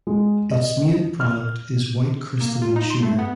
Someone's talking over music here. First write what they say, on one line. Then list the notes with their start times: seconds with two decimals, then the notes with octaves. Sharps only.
Its main product is white crystalline sugar.
0.07 G#3
0.51 D#5
1.20 F6
2.41 A#3
2.62 F4
2.76 D#4
2.90 C6
3.03 A3
3.19 B3